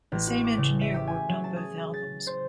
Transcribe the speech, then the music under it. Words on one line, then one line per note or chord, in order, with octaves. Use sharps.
The same engineer worked on both albums.
A1
F#4
D6
C#3
E5
G4
G#5
F#3
A5
G#4
A6
C5